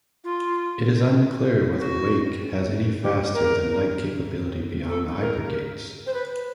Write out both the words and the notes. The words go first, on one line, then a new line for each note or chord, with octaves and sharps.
It is unclear whether Wake has any faster than light capability beyond the hypergates.
F4
F#4
G4
A#4
A4
A#4
C5
B4